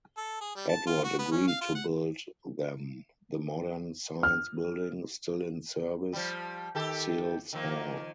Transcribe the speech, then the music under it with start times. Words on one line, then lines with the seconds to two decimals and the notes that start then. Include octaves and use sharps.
Edward agreed to build them the modern science building, still in service, Searles Hall.
0.17 A4
0.41 G#4
0.56 G3
0.69 A5
0.87 F4
1.04 F#4
1.19 B3
1.31 C#4
1.48 F5
1.61 F4
1.75 F#5
4.23 F6
6.13 F3 G3
6.75 D#3 G4 A4
7.53 D#3 F3 A#3